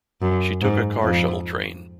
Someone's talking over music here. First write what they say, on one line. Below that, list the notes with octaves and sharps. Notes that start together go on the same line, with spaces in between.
She took a car shuttle train.
F#2
G#2
F2